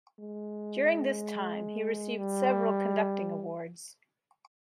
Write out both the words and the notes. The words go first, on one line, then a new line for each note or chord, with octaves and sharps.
During this time, he received several conducting awards.
G#3
G3